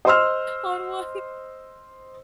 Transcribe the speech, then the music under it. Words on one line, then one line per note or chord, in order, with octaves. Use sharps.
on one,
C5 D#5 C6 E6 F6